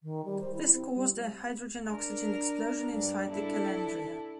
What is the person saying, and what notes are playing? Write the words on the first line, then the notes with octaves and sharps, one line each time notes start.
This caused a hydrogen-oxygen explosion inside the calandria.
D#3
G3
C5
E4
C4
G3
D4 A#4
G2 D4
D4 E4 A4